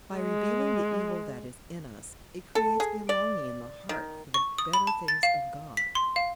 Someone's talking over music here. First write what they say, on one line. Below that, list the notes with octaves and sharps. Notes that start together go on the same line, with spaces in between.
By revealing the evil that is in us it creates a longing in the heart for the better things of God.
G#3
A4
G#4
D5
D#3
C#6
D#6
B5
A5
A6
F5
B6
C6
F5